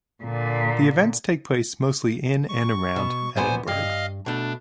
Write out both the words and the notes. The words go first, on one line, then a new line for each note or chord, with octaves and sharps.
The events take place mostly in and around Edinburgh.
A#2 D3
C#6
B2
D2 A#2 B3 C5 G#5
G2 D#5 F5 F6
B2 A3 D4